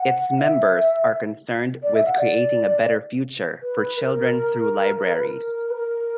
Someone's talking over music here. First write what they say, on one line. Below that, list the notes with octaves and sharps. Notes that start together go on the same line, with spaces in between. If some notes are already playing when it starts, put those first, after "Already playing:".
Its members are concerned with creating a better future for children through libraries.
Already playing: F#5
E5
D5
E5
F#5
D5
B4
A#4
A#4
B4
A#4
B4
A#4